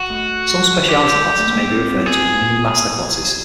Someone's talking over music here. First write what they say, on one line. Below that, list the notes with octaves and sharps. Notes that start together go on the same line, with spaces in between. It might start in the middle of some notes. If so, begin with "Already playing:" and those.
Some speciality classes may be referred to as 'mini master classes'.
Already playing: F#4
A3
G4
A3
A#3
B3
C4
C4
B3 G#4